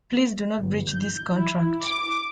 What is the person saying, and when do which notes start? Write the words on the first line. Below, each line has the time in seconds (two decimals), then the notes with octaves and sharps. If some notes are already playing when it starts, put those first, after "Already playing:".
Please do not breach this contract.
0.57 G1
0.91 G6
1.34 E4
1.84 D6